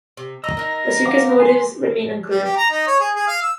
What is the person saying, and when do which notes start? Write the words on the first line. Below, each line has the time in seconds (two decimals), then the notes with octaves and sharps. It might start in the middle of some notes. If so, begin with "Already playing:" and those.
Matuska's motives remain unclear.
0.17 C3
0.44 D#5 A#5 E6
0.57 D#4 A#4 D#5 A#6
1.06 F5 F#5 D6
1.40 G#5 C6 C7
2.30 G3
2.43 G4
2.57 A#5
2.70 D#4
2.87 C#5
3.00 G#4
3.15 G#4
3.28 F5
3.42 E6